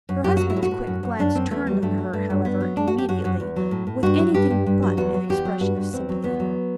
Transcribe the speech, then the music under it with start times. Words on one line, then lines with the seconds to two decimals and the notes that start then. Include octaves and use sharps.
Her husband's quick glance turned on her, however, immediately, with anything but an expression of sympathy.
0.09 F#2
0.24 F#2 G4
0.37 F#3 F#4
0.50 E4
0.56 A2
0.63 F#4
0.71 A2
0.87 F#2
1.03 F#2
1.19 F#2 D4
1.35 F#2 C4
1.50 E2 A3
1.66 F#3 G3
1.82 G2 A3
1.98 F#3
2.13 G2 A3
2.30 G2
2.45 G2 B3
2.60 F#3
2.77 F#2 D4
2.87 F#4
2.93 F#2
2.98 G4
3.09 F#2 F#4
3.25 F#2
3.40 E2
3.56 F#3
3.71 A2
3.87 A2
4.03 G2 F#4
4.19 F#3
4.34 G2 G4
4.50 G2
4.66 G2
4.83 F#3
4.97 E2 F#4
5.14 F#3
5.29 E2 G4
5.45 F#3
5.60 G2 F#4
5.76 G2
5.93 E2 C4
6.09 F#3
6.23 E2 B3
6.40 F#3